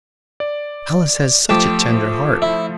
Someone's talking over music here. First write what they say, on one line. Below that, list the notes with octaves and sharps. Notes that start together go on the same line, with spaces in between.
"Alice has such a tender heart."
D5
F3 A3 G4 A5
E4